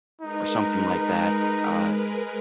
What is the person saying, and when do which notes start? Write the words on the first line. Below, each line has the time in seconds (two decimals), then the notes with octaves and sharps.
or something like that. Uh,
0.22 G#3 D#4 A#4 B4